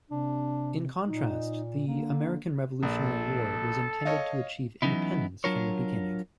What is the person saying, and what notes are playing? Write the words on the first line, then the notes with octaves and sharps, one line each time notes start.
In contrast, the American Revolutionary War was intended to achieve independence from the beginning.
C3 D4
A#2 D#4
D3 A#3
A#1 A4
C#5 D#5 F5
E3 F#3 B3 C#4 D#4 E4
F#3 D4 F4 A#4 C#5